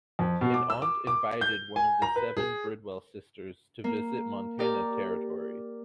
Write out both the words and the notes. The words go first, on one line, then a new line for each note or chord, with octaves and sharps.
An aunt invited one of the seven Bridwell sisters to visit Montana Territory.
F2
B2
D6
E6
D6
D6
G6
G#5
A#5
B4
G#4
A#3
G4 A#4 D5